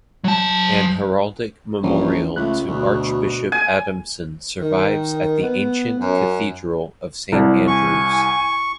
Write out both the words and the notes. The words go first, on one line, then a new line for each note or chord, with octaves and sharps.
An heraldic memorial to Archbishop Adamson survives at the ancient cathedral of Saint Andrews.
F#3 A5
A#1 E3 C#4
C#2 A3 B5 F#6
D2 B2
G#5
D#3
B3
F#2
C2 E4 B4 D5
G#5 C#6